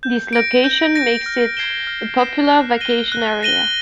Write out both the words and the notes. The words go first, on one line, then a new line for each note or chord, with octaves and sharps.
This location makes it a popular vacation area.
G6
A#6 D7
G6
A#6 D7
F6
G#6 C7 E7 G7
F6
G#6 C7 E7 G7
F#6
A#6 D#7 G7
F#6
A#6 D#7 G7